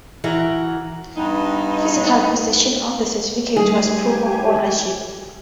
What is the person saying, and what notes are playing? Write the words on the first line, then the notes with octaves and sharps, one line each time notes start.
Physical possession of the certificate was proof of ownership.
E3 F#4 A#4
G2 B3 D#4
G3 A3 G4 G#4 G#5